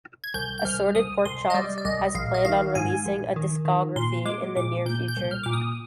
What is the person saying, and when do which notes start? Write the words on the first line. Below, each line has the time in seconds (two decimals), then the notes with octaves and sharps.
Assorted Porkchops has planned on releasing a discography in the near future.
0.24 G#6
0.34 C2 G6
0.58 G6
0.65 C2 F6
0.95 C2 D#6
1.25 C2 C6
1.50 D#5
1.54 G3 D5
1.78 D5
1.85 C2 D#5
2.15 A#1 F5
2.34 D#5
2.45 D#3 F5
2.75 G#2 G#5
3.05 A#1
3.36 D#3
3.65 D#3
3.96 A#2 C6
4.25 G#3 D6
4.56 A#2 D6
4.86 A#2 G6
5.08 G6
5.17 C2
5.31 F6
5.43 A#2 D6
5.53 D#6